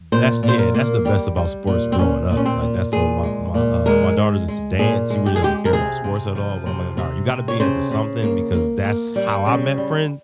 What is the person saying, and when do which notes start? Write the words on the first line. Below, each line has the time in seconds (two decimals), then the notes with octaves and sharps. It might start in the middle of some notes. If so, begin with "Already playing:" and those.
That's yeah, that's the best about sports growing up, like, that's what my my uh, my daughter's into dance, she really doesn't care about sports at all, but I'm like, "Oh, my god" you gotta be into something because that's how I met friends,
0.12 A#2 C5
0.43 A#2
0.48 C5
0.58 A#4
0.74 A#3
1.05 G3 G4
1.37 G3
1.67 A#2
1.92 C4
1.99 A#2 C#4
2.30 A#2
2.37 C#4
2.46 C4
2.61 A#2
2.92 A#2 G#4
3.23 G#3
3.54 A#2
3.86 G#3 A#4
4.17 G#3
4.48 G#3
4.79 A#2 G#4
5.10 G#3
5.26 G4
5.36 G#4
5.42 G#3 G4
5.65 A#4
5.73 C3 G#4
6.04 C3
6.35 F3
6.66 C3
6.97 C3
7.28 C3
7.48 C#5
7.60 C#3 C5
7.91 C#3
8.22 A#3
8.53 A#3
8.84 A#3
9.16 G3
9.47 C#3
9.78 G3